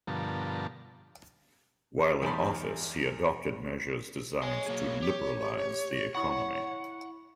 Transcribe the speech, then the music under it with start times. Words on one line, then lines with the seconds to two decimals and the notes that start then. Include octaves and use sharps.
While in office he adopted measures designed to liberalize the economy.
0.07 G2 B2 D3 F3 A#4 A5
2.22 E2 G3 D#4 A5 B5 C6
4.42 C#5 D#5 G#5
4.66 F#3 A#3 G#4
5.02 G4
6.15 E4 F#5 B5 C#6